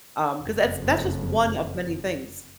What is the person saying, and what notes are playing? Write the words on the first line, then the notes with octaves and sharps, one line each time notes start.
um 'cause that's that's just one of many things.
F#1 F2